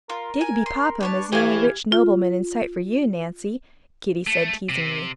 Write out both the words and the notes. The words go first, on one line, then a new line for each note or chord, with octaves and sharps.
"Digby Popham is the only rich nobleman in sight for you, Nancy!" Kitty said teasingly.
F4 A#4
G#5
C6
D4 B4 C#5 A5
E3 G4 C#5 F5 G#5 G#6
F4
A3
C3